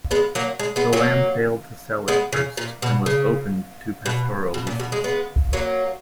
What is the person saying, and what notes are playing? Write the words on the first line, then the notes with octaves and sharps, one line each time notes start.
The land failed to sell at first and was opened to pastoral leases.
G#3 B3
F#3 A#3
G#3
G#3 B3
F#3 A#3
G#3 B3
C#3
A#2
B2
C#3
B2
B2
A#2
B2
G#3
G#3 B3
F#3 A#3